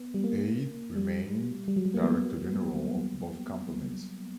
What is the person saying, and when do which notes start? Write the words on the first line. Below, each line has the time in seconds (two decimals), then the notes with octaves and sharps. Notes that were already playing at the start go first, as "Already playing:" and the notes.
Eyde remained director-general of both companies.
Already playing: B3
0.14 G3
0.24 A#3
0.96 G3
1.68 G3
1.76 F#3
1.86 G3
1.94 A#3
2.04 B3